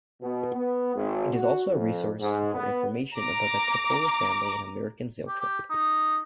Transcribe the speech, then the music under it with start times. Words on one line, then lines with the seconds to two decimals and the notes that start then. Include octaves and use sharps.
It is also a resource for information about the Coppola family and American Zoetrope.
0.22 B2
0.53 B3
0.94 G#1
1.31 F#4
1.69 F2
2.19 G#2
2.52 B3
3.16 A#5 D6
5.28 G4
5.41 G4
5.71 D#4